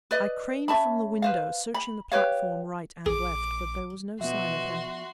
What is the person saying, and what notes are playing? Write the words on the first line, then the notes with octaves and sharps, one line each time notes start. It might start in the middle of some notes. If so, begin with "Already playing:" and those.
I craned from the window, searching the platform right and left. But there was no sign of him.
B4 D5 D#5
C#4 E5 A5 B5
B4 C5 F5
B5
G4 B4 C#5 F5
A#1 G#4 D6
B2 F3 B3 F#4 E5 C6